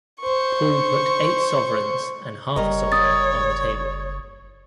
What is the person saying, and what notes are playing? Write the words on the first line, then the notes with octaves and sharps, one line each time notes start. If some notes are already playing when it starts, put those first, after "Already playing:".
Paul put eight sovereigns and half a sovereign on the table.
C5 C#6
F#1 G3 A#4 C#5 D#5
D#6 A6